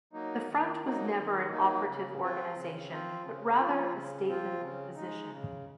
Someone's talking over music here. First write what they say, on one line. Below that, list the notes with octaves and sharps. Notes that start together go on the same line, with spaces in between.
The Front was never an operative organization, but rather a statement of position.
F#3 A#3 D#4
D#3
F#3 A#3 D#4
D#3
F#3 A#3 D#4
C#3
F3 C4 F4
C#3
F3 C4 F4
C#3
F3 C4 F4
C#3
F3 C4 F4
C#3
G#3 D#4
C#3